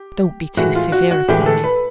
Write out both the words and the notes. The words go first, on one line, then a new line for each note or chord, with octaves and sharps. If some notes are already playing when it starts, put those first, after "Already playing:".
Don't be too severe upon me.
Already playing: G4
A2 E3 G#3 F#4
F4
F#4
F#4
A2 E3 G#3 G4
A4
B4